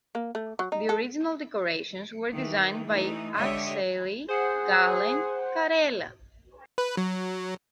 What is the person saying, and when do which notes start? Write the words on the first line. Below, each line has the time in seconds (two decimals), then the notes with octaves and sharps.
The original decorations were designed by Akseli Gallen-Kallela.
0.15 A#3
0.35 A3
0.59 F#3
0.72 D#4
0.89 A4
2.33 D#3 E3
2.86 E3 A3 D#4
3.38 D3 G#3 G4 C#5 D#5 E5
4.28 G#4 C5 F#5
6.78 B4
6.97 F#3